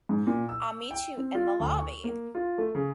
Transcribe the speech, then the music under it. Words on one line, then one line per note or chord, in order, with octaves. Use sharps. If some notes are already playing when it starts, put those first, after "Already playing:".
I'll meet you in the lobby.
G#2
A#2
E6
G5
C4
F4
D2
C#6
A#3
F4
A3
C#3